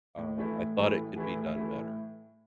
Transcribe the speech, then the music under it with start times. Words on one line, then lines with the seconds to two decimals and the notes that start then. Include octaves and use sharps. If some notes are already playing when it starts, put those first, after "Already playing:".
Uh, I thought it could be done better.
0.18 A2
0.38 E3 A3 E4
0.57 A2
0.77 E3 A3 E4
0.97 A2
1.16 E3 A3 E4
1.36 A2
1.56 E3 A3 E4
1.76 A2